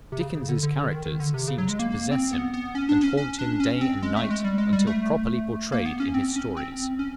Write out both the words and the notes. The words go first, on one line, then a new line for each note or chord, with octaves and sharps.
Dickens' characters seemed to possess him, and haunt him day and night until properly portrayed in his stories.
C3
C#3
C#3
D3
D3
D3
D#3
D#3
D3
C3
C#3
F#3
G#3
A#3
A#3
C4
B3
B3
C#4
D4
C#4
C#4
D4
C#4
C4
G#3
A3
G#3
G3
G#3
G3
A3
A#3
B3
C#4
C4
C#4
C4
C#4